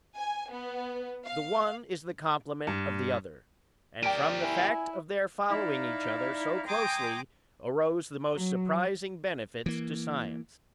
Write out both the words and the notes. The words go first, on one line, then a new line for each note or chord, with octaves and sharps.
The one is the complement of the other; and from the fact of their following each other so closely arose the most surprising benefits to science.
G#5
B3
F5
G2
G4 A#4 D5 G5 D7
E4 G#5
D#4 E4 D5 F5
G5 G#5 A#5 C6 D6 D#6
F#3
E3 A#3